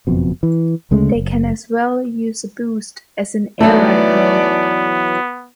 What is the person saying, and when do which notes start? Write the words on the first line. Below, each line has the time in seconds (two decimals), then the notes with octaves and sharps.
They can as well use a boost, as in Air Ride mode.
0.07 F#1 F2 B2
0.43 E3
0.91 D2 C#3 G#3 A3
1.15 F#1
3.61 E3 F#3 A3 B3 D#4 D5